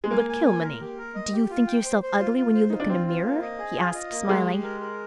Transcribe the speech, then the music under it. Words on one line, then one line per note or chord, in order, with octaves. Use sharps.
"But, Kilmeny, do you think yourself ugly when you look in a mirror?" he asked smiling.
G#3
A#3 G#5
G#5
G#5
A#4
G4
A#4
D#5
G4
F4
G5
C5
C5
F4
F4
C5
D#4 F4
D4
C4 F4
F4
A#3
D#5
G#4
F4
D#5
A#3
G#3 G4
G4
A#4
A#4